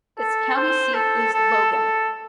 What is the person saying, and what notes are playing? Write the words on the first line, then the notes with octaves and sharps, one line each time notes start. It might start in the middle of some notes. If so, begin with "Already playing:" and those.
Its county seat is Logan.
A4
C5
A4
A4
A4